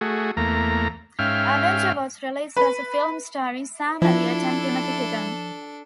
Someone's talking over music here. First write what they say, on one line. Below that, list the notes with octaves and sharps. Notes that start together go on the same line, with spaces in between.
Avenger was released as a film starring Sam Elliott and Timothy Hutton.
A3 F#4 G#4
E2 A3 A#3 A#5
G#2 C#4 E5 F5 G5 F6
B4
F3 D4 E4 F4 A4 F5